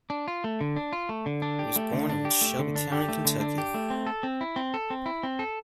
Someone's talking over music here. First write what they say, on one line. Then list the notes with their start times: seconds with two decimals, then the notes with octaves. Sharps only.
He was born in Shelby County, Kentucky.
0.10 D4
0.28 F4
0.44 A3
0.61 D3
0.76 D4
0.93 F4
1.09 A3
1.26 D3
1.42 D4
1.59 G4
1.76 A3
1.93 D3
2.09 D4
2.25 G4
2.41 A3
2.59 D3
2.76 D4
2.92 G4
3.09 A3
3.25 D3
3.40 D4
3.58 G4
3.74 A3
3.90 C4
4.07 A4
4.23 C4
4.41 E4
4.56 C4
4.74 A4
4.90 C4
5.06 E4
5.23 C4
5.39 A4